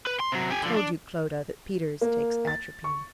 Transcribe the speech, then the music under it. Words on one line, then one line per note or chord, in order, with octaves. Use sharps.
Who told you, Clodagh, that Peters takes atropine?'
B4
C6
C3 F#3
G4 G#5
D3 F3
D4
A#3
A6
C#6